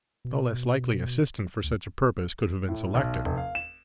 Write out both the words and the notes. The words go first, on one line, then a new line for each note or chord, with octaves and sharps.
No less likely assistant for such a purpose could have been selected.
B2
D2
A2
B1
F1
F5
E7